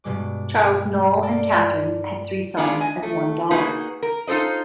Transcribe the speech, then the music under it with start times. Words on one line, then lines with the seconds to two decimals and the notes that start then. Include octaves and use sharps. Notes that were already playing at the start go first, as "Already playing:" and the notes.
Charles Knoll and Catherine had three sons and one daughter.
0.04 G2 B2 G#3 D6
0.58 F6
1.23 A4 A#4 D5
2.57 G#3 B3 D4 F4 F#4 G#4
2.81 D#5 G#5
3.03 A3
3.51 A#3 D#4 F#4 G#4 B4
4.03 A#4
4.27 D#4 F4 A4 C5 D#5